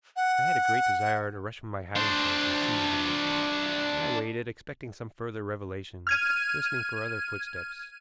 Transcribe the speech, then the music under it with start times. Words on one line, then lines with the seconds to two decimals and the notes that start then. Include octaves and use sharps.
I had a great desire to rush from my hiding-place and seize him, and I waited, expecting some further revelation, listening for other footsteps.
0.16 F#5
1.96 D4 C5
6.07 F6 G#6 D#7